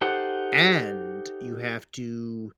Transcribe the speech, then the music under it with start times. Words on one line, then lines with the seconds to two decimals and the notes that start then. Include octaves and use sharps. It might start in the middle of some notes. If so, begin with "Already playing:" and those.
and you have to
0.01 D#4 G4 A4 C5 F#5